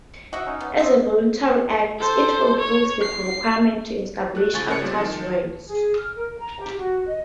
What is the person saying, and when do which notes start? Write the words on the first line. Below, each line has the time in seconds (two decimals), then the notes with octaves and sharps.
As a voluntary act, it fulfills the requirements to establish "actus reus".
0.33 F#4 D#5 E5 F#5
0.46 C#4 D#4
0.61 B3
0.79 C5 D#5 E5
1.99 A4 C5
2.59 C#5
3.02 C7
4.35 A3 F#6
4.54 C#2 F3 G#5 C#6 A6
4.69 C#3 A#4 C#5 D5 C#7
4.81 F3 G3 A3 C4
4.98 D#3 F3 A5
5.66 G#4
5.97 F6
6.17 A#4
6.39 A#5
6.60 G4
6.77 F#4
7.07 D#5